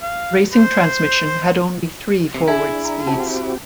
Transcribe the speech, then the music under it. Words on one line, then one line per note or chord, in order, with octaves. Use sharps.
Racing transmission had only three forward speeds.
F5
C5
C3
D4 E4 G#4 E5 G#5 G#6
A#5
C4 F#4 G4 A5